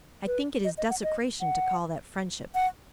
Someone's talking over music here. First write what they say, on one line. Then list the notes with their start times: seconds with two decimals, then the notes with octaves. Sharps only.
I think it is desecration to call that friendship.
0.27 B4
0.65 D#5
0.78 D#5
0.90 F#5
1.03 D#5
1.41 F#5
2.55 F#5